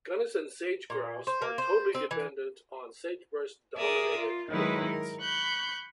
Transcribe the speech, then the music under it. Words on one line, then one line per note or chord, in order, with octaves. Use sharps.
Gunnison sage-grouse are totally dependent on sagebrush-dominated habitats.
A#2
C5
A#3
C5
C4
E3
G#4 A#4 D5 E5 D#6
F4
D#3 F#3 G#3 D#4 E4 B4
A#4
B5 C#6 F#6 G6